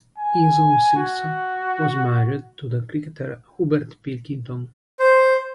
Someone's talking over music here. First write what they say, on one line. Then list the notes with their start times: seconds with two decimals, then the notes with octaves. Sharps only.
His own sister was married to the cricketer Hubert Pilkington.
0.18 G#5
0.96 F#4
5.00 C5